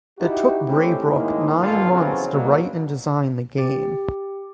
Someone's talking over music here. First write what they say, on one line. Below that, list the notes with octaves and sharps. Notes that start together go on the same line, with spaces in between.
It took Braybrook nine months to write and design the game.
D#4 E4 F#4 G4
G#3 A3 C4 C#4 E4 G4
A2 D#3 G#3 A#3 D#4 E4
A#1 G2 D3 F4 A4
F2 C#3 E3 F#3 B3 C4
E2 B2 F#3 G3 A#3
G4